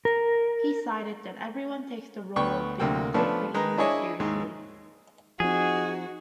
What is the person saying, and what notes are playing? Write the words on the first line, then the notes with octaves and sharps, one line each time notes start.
He cited that everyone takes the role of being a good neighbor seriously.
A#4
D2 B3 G5 C#6
D2 C3 A#3 G5
F3 A3 B3 C#4 D4
D#3 G#3 B4 A#5
D4 E4 G#4 C#5 D#5
D#2 G#2 G#3
F3 C4 D#4 F#4 G#4